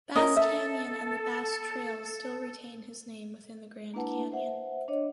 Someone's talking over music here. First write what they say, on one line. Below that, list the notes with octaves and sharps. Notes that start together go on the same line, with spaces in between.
Bass Canyon and the Bass Trails still retain his name within the Grand Canyon.
C#4 A#4 D#5
A4 E5
A#3 D4 E4 B4 F#5 A5
C5 E5 F#5
D4 C#5 D#5